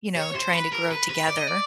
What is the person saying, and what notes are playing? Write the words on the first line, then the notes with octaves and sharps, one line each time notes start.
you know, trying to grow together,
C#5
C5
B4
A#4
B4
B4
D5
D#5
D5